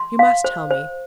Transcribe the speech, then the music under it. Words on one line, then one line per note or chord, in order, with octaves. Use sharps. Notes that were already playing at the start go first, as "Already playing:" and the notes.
You must tell me.
Already playing: C6
F5
C5
C5